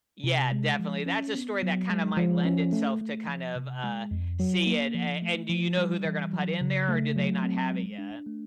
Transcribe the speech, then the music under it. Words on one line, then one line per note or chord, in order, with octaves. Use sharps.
Yeah, definitely. That's a story that kinda might lend itself to kind of, uh, see it. A and do you know who they're gonna put in there or do they not have it yet?
C3
G#3
F3
C#4
B3
F#3
G#3
F3
C#4
A3
A3
F3
C3
G#3
F2
F#3
A#3
F3
A3
F3
G3
E3
F#3
C#3
A3
F#3
C4
G#3
D4
A3